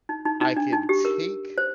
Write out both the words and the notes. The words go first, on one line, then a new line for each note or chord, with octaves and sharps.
I can take
D#4
D#4
D#4
D4
D#4
G4
A#4
C5